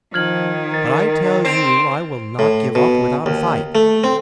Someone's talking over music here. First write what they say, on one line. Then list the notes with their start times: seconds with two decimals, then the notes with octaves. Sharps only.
But I tell you I will not give up without a fight.
0.14 D#3 F3 F6 G#6 F#7
0.74 A#4 A6
1.45 C4 C7 E7 F7
2.39 A2
2.75 B2
3.26 D#2
3.75 A3
4.04 C4